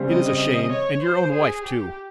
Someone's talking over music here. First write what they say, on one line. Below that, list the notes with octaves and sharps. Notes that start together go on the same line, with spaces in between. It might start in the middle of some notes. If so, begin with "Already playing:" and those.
It is a shame, and your own wife too.
Already playing: C#3 G3 C4 G4 C5
D#5
D#5
C#5
C5
G#4
G4